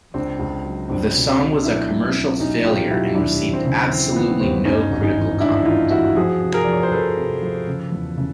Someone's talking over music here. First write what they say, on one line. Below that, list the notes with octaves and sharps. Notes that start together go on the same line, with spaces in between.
The song was a commercial failure and received absolutely no critical comment.
C#2 C4 D4
C#2
F#3
C#2 C4 D4
B2
B2
B1 D4 E4
B1
B1
B1 C#4 D#4
A#2 F4 G4
B1 E4 F#4
D#2 D4 E4
D#2
C4
C#3
E3 C4
E3 B3
D#2 C4
G2 C#4 D#4
G#1
C#4 D#4
E3
G#1 D4 E4
E3 D#4 F4
E3 E4 F#4
F3 F#4 G#4
C3
G#4 A#4
F2 D5
C#5
C5
F3 A4 B4
C3
F3
C#3
E2
C#3